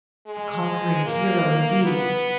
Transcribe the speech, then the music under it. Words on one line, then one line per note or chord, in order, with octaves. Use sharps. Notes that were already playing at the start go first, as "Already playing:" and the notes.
A conquering hero, indeed!
G#3
A#3
B3